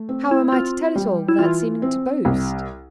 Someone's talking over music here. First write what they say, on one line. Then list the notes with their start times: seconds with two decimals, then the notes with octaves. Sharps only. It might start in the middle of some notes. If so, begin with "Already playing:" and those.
How am I to tell it all without seeming to boast.
Already playing: A3
0.09 C4
0.31 E4
0.52 C4 F4
0.96 G3
1.29 E4
1.39 E3 F4
1.82 C4
2.25 C2